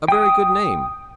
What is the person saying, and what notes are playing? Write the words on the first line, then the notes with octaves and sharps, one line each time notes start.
A very good name!
G5 D#6